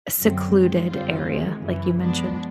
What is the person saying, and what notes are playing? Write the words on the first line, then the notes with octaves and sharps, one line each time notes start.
secluded area like you mentioned.
F#2 D3 F#3 A3 C4
D#3 G#3 C4
F#2 D3 G3 C4 F4
C3 D#3 G#3
F#2 C#3 E3
F3 G#3 B3 D4